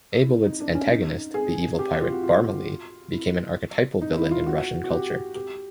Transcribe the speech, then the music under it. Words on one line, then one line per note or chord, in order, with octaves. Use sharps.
Aybolit's antagonist, the evil pirate Barmaley, became an archetypal villain in Russian culture.
E4
D#4
D4
C#4
D#4
G#4
G4
F4
F#4
F4
E4
D#4
E4
F4
F#4
F#4
G4
G4